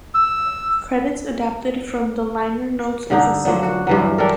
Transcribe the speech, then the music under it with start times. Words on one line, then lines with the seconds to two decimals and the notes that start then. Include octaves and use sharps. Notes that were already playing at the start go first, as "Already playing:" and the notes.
Credits adapted from the liner notes of the single.
0.14 E6
3.10 G2 D3 D4 D#4
3.45 F3 F#3 D4
3.63 F#4
3.87 G2 E3 F#3
4.18 D4 G4 A4 A#4